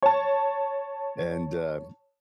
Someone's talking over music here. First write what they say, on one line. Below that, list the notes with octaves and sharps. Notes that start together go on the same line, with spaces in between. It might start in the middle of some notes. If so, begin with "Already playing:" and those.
and, um
C#5 A5